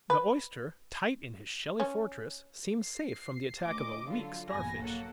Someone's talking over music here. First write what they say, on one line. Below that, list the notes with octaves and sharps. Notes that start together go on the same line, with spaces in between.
The oyster, tight in his shelly fortress, seems safe from the attack of a weak Starfish.
B4
C#4
C7
D2 D#5 D6
D3 F#3 F4 A4
A#1 G2 B2 E3 G#5 A#6
F#3 A#3 A4 F#5